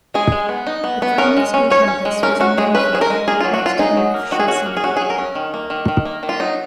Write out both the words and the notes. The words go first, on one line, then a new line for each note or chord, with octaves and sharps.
The primary school campus was in Lindfield, next to the North Shore Synagogue.
G#3 G#4
G#3
B3
D#4
B3
B3
C#4 A#4
G#3
C#4
C#4 C#5
C#4
G#3
C#4 A#4
C#4 F#4
G#3 G#4
C#4 B4
F3 G#4
A#4
G#3
A#3 G#4
F4
F#3
F#4
F#3 F4
D#4 G#4
F#3
A#3
D#3 F#4
G#4
C#4 F#4
A#3
G#4
C#4 F#4
G#4
F#3
A#4
C#4
D#3
A#3
D#3
D#3
A#3
D#3
F4
F#3 D#4